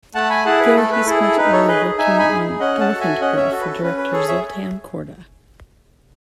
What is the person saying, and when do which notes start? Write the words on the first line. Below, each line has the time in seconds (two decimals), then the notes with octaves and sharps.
There, he spent a year working on "Elephant Boy" for director Zoltan Korda.
0.15 A3 F#5 A5
0.30 G#5 B5
0.45 E4 G#4 F#5 A5
0.60 B4
0.76 A3 A4
0.91 B4
1.06 E4 G#4 A4
1.22 A4
1.37 D#4 B4
1.53 A4 C#5
1.68 G#4 B4 D#5
1.98 D#4 E5 G#5
2.19 G#5 B5
2.29 G#4
2.59 C#4 D#5 F#5
2.80 F#5 A5
2.90 F#4 A4
3.01 E5 G#5
3.21 C#4 D#5 F#5
3.36 C#5 E5
3.52 F#4 A4
3.61 B4
3.67 A4
3.82 C#4 B4
3.97 B4
4.13 G#4 A4 C#5
4.28 C#5 E5